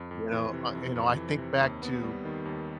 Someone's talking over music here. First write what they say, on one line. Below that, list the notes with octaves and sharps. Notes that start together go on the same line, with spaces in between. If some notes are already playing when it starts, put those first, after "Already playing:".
You know, uh, you know, I think back to
Already playing: F2
F2
E3
C3
F2
F2
E3
C3
D#2
B3
G3
D#3
D#2